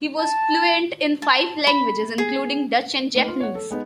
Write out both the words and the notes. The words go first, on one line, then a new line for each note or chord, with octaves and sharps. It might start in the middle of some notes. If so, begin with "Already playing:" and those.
He was fluent in five languages, including Dutch and Japanese.
A5
A5
B5
G#4
A3 A#3 D#4 B4
F4
C#5 F#5
A4
G#3 B3 D#4